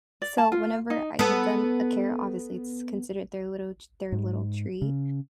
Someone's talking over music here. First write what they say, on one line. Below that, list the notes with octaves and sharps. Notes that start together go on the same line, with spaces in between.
so whenever I give them a carrot- obviously it's considered their little t their little treat-
D5
A5
F4
D#4
B3 A4
G#2
C#3